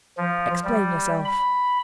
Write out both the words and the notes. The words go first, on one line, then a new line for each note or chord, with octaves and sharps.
"Explain yourself."
F3
G3
B5